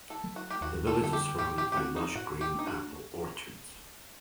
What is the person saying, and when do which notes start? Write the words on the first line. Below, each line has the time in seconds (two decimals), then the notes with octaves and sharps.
The Village is surrounded by lush green Apple orchards.
0.10 A4
0.24 F#3 A3
0.36 F#4
0.50 G4
0.61 D#2 F#4
0.87 A4
1.00 D3 G3 A#3 A4
1.13 G4
1.38 A2 G4
1.58 G4
1.72 G4
1.77 A3 C4 F#4
1.96 D#4
2.15 A2 F#4
2.41 G4
2.54 A3 D4 D#4
2.67 F#4